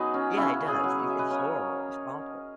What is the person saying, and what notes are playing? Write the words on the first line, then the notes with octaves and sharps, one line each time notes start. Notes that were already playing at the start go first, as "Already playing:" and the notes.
Yeah, it does, it it's horrible, it's awful.
Already playing: F#3 B3 D#4 F#4 G#4
C#4
C#3 C#4 E4
G#4 B4
F#3
D#5
E5
B4 D#5
C#3 A#4 C#5